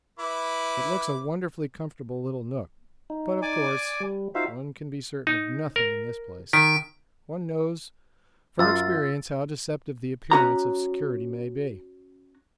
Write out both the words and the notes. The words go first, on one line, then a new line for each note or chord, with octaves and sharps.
It looks a wonderfully comfortable little nook, but, of course, one can be certain of nothing in this place; one knows from experience how deceptive the appearance of security may be.
E4 B4 D6
D#4
D5 G#5 D6
G3
D#4 F4 F#4 C5 E5 F5
D#4
A#4
D#3 B6 D7
F#2 F4 E6 A6
C#4 F#4 A#5